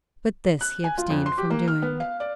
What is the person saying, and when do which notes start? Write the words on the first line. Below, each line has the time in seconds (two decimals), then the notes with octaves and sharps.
But this he abstained from doing.
0.61 F#6
0.84 G#5
0.98 F4
1.10 F2
1.26 C6
1.38 G4
1.50 A#3
1.68 F6
1.82 B3
2.00 F5
2.20 D5